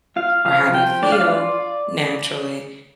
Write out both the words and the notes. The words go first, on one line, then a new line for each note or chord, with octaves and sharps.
or how they feel, naturally.
F4 F5
F3 F5
F3 G5
D4 D5
F5
D5
F4